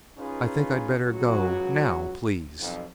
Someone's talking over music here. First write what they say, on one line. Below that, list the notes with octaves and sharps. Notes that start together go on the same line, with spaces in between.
"I think I'd better go, now, please."
C#4 D#4 F4 G#4 B4
C#2 F#3 F#4
B1 F2